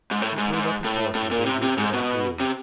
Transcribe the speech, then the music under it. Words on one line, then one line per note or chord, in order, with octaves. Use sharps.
He pulled up his horse and bade me good-afternoon.
G#2
A2
G#2
G#2
A2
A2
A#2
C3
C3
G#2
B2
C3